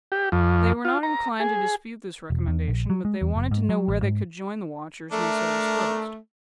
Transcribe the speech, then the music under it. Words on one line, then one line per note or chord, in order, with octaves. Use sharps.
They were not inclined to dispute this recommendation, but they wanted to know where they could join the watchers when so disposed.
G4
F2
F4
A#5
G#4
E1
E2
A#1
F#3
G#3
E2
F#1
G#2
F#3
A1
G#2
A3 D4 A#4